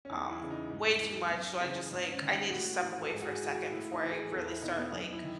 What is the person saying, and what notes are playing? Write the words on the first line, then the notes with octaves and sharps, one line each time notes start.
um, way too much, so I just like I need to step away for a second before I really start like
C#4
E2 D#4
E4
C#3 E3
D#4
G#2
E3
F#2
C#3 E3
G#2 C#4
C#4
D#3
D#4
A2 F#4
E3
A4
G#2 G#4
F#4
G#4
E3
F#4
A2 E4
D#4
E3
G#4
E2 A4
E4
B2 D#4
B3
F#2 D#4
E4
D#3